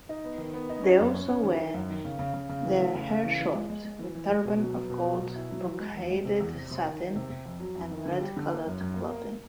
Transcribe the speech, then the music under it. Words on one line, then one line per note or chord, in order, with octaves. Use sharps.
They also "wear their hair short, with turban of gold-brocaded satin", and red-coloured clothing.
D#4
B3
D#3
B3
D#4
C#4
F#2
C#4
C#4
D#3
D#3
F#2
D#3
C#3
C#3
C#3
C#3
E3
A3
C#3
C#3
E3
E3
G#3
G#3
G#3
E3
E3
G#3
B2
F#3
B3
B2
F#3
B2
E4
F#3
E3
G#3
E2
G#3
C3
E2
C3
C3
D#3
D#3
C3
C3
F2
F#3
F2
D#3
D3
G3
D3
A#3
F#2
F#2
A#3
A#3